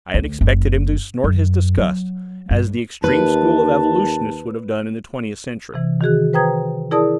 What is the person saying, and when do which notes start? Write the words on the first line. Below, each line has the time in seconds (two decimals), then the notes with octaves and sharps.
I had expected him to snort his disgust, as the extreme school of evolutionists would have done in the Twentieth Century.
0.14 D2
0.41 F#1
1.24 F#2
1.78 F#3
2.51 G2
3.04 D#2 B4 A5
5.74 C3 E3
6.01 D#3 F#4 G#4 F#6
6.33 B4 C5 G5 A#5 D#6 G#6
6.91 E4 G#4 A#4 D5 A5 D#6